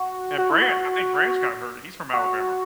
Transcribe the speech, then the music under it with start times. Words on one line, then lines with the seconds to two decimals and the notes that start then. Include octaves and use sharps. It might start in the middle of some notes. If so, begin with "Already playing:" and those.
And Bran I think Branch got hurt. He's from Alabama.
Already playing: F#4
0.38 F#4
0.51 E4
0.62 F#4
2.13 F#4